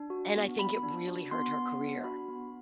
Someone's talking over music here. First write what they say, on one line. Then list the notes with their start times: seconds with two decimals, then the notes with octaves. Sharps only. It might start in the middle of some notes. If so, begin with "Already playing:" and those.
And I think it really hurt her career.
Already playing: D4
0.10 F#4
0.35 B3
0.59 B3 B5
0.83 D4
1.08 F#4
1.31 B3 C6
1.56 B3
1.80 D4
2.04 F#4 B5
2.28 B3